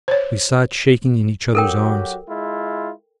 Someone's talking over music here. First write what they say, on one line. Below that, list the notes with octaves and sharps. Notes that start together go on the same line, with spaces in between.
We sat shaking in each other's arms.
C5 C#5
F#3 F#4 G4 A4 A#4 G5
G#3 E4 F4